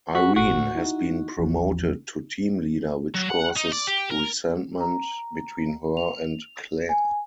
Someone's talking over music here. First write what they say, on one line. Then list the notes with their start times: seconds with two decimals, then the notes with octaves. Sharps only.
Irene has been promoted to team leader which causes resentment between her and Clare.
0.15 F#4 G#4 B6
0.36 G#1 A#2 F#4
0.58 A2
0.75 D#4 E4
1.39 A1 E2 F3
3.14 F#3
3.29 F#5
3.56 D#4
3.72 D5
3.88 G4
4.11 A#4
4.80 A#5
5.97 F7
6.89 G#5